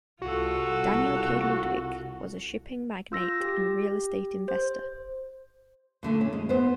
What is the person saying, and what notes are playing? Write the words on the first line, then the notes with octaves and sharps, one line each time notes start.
Daniel K. Ludwig was a shipping magnate and real estate investor.
C2 F4 F#4 A4
F4 E6 A#6
G4
C5
A#2 D3 A3
C#4
G#3
B3 C5